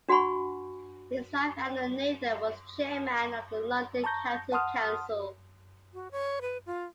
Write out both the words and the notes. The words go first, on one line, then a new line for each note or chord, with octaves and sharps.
His wife Eleanor Nathan was Chairman of the London County Council.
D4 F#4 F#5 G#5 B5 C#6
A5 A#5 C#6 G6 A#6
F#5 A5 C6 D#6 F6
F#4
C#5
B4
F4